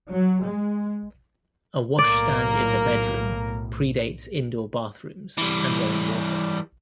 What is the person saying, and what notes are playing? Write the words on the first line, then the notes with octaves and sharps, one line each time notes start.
A washstand in the bedroom pre-dates indoor bathrooms and running water.
F#3
G#3
B1 A2 A#3 A#4 D5
E3 G3